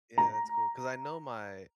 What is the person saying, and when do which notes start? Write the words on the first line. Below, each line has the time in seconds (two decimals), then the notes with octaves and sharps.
Yeah. That's cool, 'cause I know my
0.18 A#5